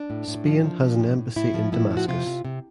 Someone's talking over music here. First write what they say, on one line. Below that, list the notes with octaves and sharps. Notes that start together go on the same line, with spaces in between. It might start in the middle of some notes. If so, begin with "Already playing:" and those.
Spain has an embassy in Damascus.
Already playing: D4
A2
A2
F3
F3
F3
A2
A2
A2 E4
F3
A2 E4
F3
F#4
C3 F4
C3
C3